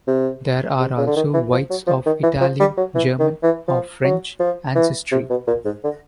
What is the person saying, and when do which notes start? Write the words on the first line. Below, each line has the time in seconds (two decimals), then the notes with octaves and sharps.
There are also whites of Italian, German, or French ancestry.
0.07 C3
0.80 C3
0.97 C#3
1.07 D3
1.16 D#3
1.34 E3
1.52 F3
1.70 F#3
1.87 F3
2.06 D#3
2.23 E3
2.41 F3
2.60 G3
2.77 F#3
2.95 E3
3.19 D#3
3.43 E3
3.68 F3
4.04 F#3
4.40 F3
4.75 E3
5.12 C3
5.30 B2
5.47 A#2
5.65 G#2
5.84 D3